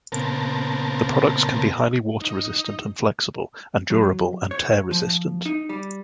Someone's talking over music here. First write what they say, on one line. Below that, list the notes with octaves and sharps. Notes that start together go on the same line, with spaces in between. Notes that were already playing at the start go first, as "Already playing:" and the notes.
The products can be highly water resistant and flexible and durable and tear resistant.
A#2 C#3 B3 C4 A#4 A5
D#4
F#3
C#5
F3
D#4
G3